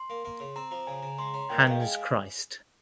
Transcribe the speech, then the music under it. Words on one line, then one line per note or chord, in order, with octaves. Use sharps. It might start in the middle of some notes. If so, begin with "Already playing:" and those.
Hans Christ.
Already playing: C6
A#3
A#3
C#3
C4 A#5
F3 A#5
C#3 G#5
C#3 A#5
G#3 C6
C#4 A#5
A#2 G5
D#5
G#3
F5
G#3 G#5